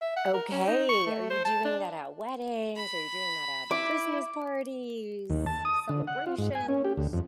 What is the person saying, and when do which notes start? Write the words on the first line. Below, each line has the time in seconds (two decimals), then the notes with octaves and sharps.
Okay. Are you doing that at weddings? Are you doing that at Christmas parties, celebrations?
0.02 E5
0.17 F#5
0.34 A#4
0.52 C#4
0.67 D#4
0.89 C#6
1.06 A3
1.30 C5
1.45 A5
1.65 D4
2.76 B5
3.71 E4 D6
5.30 D#2
5.46 A5
5.65 D#6
5.89 D3
6.07 F#5
6.27 F4
6.38 G#2
6.55 G#5
6.68 C#4
6.84 G4
6.97 D2
7.13 F2